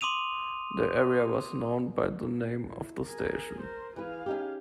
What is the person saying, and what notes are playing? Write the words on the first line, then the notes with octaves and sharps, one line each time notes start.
The area was known by the name of the station.
C6 D6 D#6 D#7 F7
E4
G#4 A#4
A#4 C5
E3 G#4 B4 F5
C#4 D#4 G4